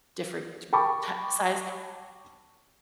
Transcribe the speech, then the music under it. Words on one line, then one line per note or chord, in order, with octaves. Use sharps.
different t ta size,
G5 A5 B5 C#6 D6